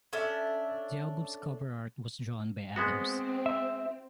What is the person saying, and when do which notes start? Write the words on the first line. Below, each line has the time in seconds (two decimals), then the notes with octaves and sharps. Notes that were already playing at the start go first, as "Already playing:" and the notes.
The album's cover art was drawn by Adams.
0.13 C#4 D4 A4 E5
2.76 G#3 B3 C4 F#4
3.46 E5